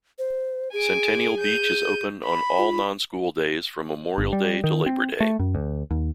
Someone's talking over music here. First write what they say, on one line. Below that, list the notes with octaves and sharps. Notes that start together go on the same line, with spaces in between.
Centennial beach is Open on all non-school days from Memorial Day to Labor Day.
C5
G#4 G#5 D7
G6 D#7
B5
F4
G1
G3
D#3
C4
A3
F#2
D2
D#2